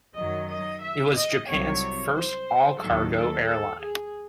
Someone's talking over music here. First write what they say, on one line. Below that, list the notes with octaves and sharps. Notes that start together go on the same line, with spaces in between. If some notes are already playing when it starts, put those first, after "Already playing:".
It was Japan's first all-cargo airline.
F#2 D#3 F#3 D#5
D#5
E5
D#5
C2 C3 F#3 C#5
C5
D#2 D#3 F#3 A4
A4
A4
G#4